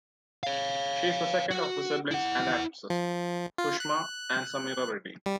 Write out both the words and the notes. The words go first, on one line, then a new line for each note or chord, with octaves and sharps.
She is the second of the siblings and actresses, Sushma and Sameera Reddy.
C#5 F5
F#4
E4 F#5
F3
F4
F#6
G3